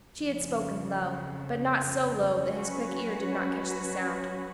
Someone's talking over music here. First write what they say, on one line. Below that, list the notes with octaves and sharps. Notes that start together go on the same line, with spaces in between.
She had spoken low, but not so low that his quick ear did not catch the sound.
F2 C#3 F3
F#3 C#4 F#4 B4